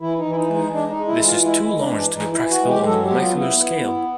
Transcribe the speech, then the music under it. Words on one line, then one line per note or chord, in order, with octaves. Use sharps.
This is too large to be practical on the molecular scale.
E3 E4
D#4
E3
E4
D#4
G#3
D#4
G#3 D4
D#4
G#3
E4
E3
F4
G#3 E4
G#3
D4
E3
E3 D#4
E4
E3
F#4
G#3
G4
F#3 A4
G4
B3
F4
B3
E4
B3
B3